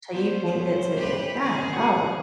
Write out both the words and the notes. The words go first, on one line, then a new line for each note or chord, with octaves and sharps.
So you can't get to it. God, oh.
G3 B3 C5
B1 C#3 B3 C#5
G4 B4
G2 D#3 C#4 G#4
F#4 F#5